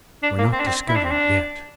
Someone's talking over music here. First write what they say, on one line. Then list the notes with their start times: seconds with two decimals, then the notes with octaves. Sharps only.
We're not discovered yet.
0.23 D4
0.38 A#3
0.52 C4
0.60 D4
0.67 C4
0.89 E4
0.96 D4
1.04 C4
1.11 D4